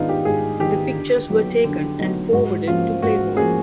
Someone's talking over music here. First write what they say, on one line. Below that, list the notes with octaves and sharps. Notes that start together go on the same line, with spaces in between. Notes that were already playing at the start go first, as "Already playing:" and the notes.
The pictures were taken and forwarded to "Playboy".
Already playing: G#2 D#3 G#3 B3 D4 D#4 F4
G4
G#2 G#4
D#3 G#3 B3 G4
D3
F#3 B3 D#4
D3
F#3 B3 D#4
G#2 F#4
F3 A#3 C#4 F4
G#2 F#4
F3 A#3 C#4 G#4